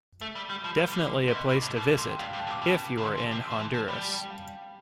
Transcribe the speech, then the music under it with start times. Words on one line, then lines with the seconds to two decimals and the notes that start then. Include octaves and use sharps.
Definitely a place to visit if you are in Honduras.
0.21 A3
0.35 G3
0.49 G3 B5
0.64 F3
0.71 B5
0.78 G3
0.92 D3
1.28 C3
1.34 B2 C6
1.49 A2
1.55 D6
1.63 A2
1.76 B2 D6
1.88 D6
1.97 A2 C6
2.08 G5
2.19 G2 F5
2.29 G2 G5
2.40 A5
2.47 A2
2.51 D6
2.62 B2
2.97 C3
3.03 D3 C6
3.17 E3
3.25 A5
3.31 C3
3.46 F3 C6
3.59 E3
3.74 F3
3.88 G3 B5
4.05 A5
4.09 G5
4.30 F5